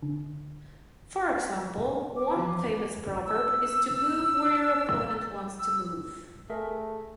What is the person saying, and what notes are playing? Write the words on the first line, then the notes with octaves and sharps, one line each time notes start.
For example, one famous proverb is to move where your opponent wants to move.
D3
D6
E2 F3 B4
E6
E6
A3 G#4 A#4 E5